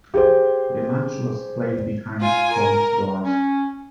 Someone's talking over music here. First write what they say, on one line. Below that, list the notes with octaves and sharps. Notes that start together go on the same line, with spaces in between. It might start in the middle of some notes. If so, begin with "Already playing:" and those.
The match was played behind closed doors.
G4 G#4 C5
F4 G#5
A#4
C#4